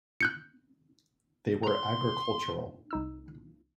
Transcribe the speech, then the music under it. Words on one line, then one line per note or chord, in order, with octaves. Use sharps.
They were agricultural.
F#6 G6 C#7
A#5 C6
C2 D#4 E6